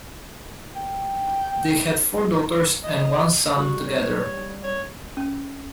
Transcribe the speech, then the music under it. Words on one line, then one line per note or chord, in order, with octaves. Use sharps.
They had four daughters and one son together.
G5
D#5
G3 F#4
C#5
C#5
C#4